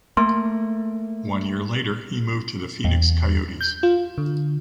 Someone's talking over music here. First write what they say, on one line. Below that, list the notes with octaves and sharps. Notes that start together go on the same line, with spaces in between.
One year later, he moved to the Phoenix Coyotes.
A3 A#3 C6
E2
G6
F4
D3